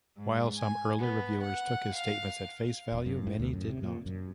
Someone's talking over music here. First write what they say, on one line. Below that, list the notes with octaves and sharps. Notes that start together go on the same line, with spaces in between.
While some early reviewers took his statements at face value, many did not.
G#2
G#5
B3
F#5
F5
E1
F#2
A2
D2
F#2
C3
A#2
F#2